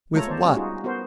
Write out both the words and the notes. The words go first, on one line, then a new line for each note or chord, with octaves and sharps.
"With what?"
G#3 A3 F4 A4 C#5 A#5
B3 C5 D5 A5
G3 C#4 F#4
D#4 F4 F#4 G#4
B3 F#4 A#4 C5